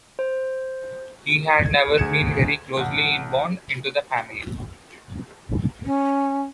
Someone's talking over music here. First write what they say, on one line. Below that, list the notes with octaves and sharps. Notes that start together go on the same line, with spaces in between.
He had never been very closely inbound into the family.
C5
G#6
D2 G#4 G#6 C#7 E7
A1 F#5
C#4